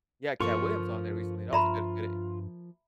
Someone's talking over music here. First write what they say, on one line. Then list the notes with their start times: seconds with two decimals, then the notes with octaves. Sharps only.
He had Katt Williams on there recently, that was a good good e
0.40 G2 F3 A#3 F4 A4 C#6
1.53 G2 F4 E5 A#5 B5